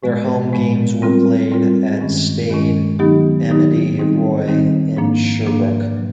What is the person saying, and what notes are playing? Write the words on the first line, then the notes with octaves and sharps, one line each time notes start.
Their home games were played at Stade Amedee Roy in Sherbrooke.
A2 F3 G#3 B3
A2 F3 G#3 B3
G3 C4 F4 A#4
G3 C4 F4 A#4
G2 D#3 G#3 C#4
G2 D#3 G#3 C#4
D#3 F#3 B3 D#4 G4
D#3 F#3 B3 D#4 G4
F#2 D#3 G3 C4 D#4
F#2 D#3 G3 C4 D#4
G#2 F3 A#3 D4
G#2 F3 A#3 D4
B2 F#3